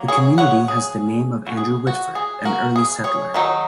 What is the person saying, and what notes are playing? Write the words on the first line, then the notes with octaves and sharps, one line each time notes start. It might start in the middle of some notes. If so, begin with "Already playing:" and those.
The community has the name of Andrew Whitford, an early settler.
Already playing: F#3 A#3
G#4 C#5
C#5 F#5
G#4
F#4
G#4
F#4
G#4
F#4 A#4
G#4
G#4 C#5
D#3 F#3 D#4